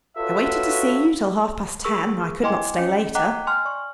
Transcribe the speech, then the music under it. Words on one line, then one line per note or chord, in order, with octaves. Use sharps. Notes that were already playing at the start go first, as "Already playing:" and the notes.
I waited to see you till half-past ten, I could not stay later.
F4 F#4 A4 B4 C#5 E5
G#4 A#4 C#6 E6
E4 D#5 G5 G#5 C6 D6
C#4 D#5 C#7
D#5 F#5 G5 A#5 D6 F#6
G#5 C6 F6
D5 C#6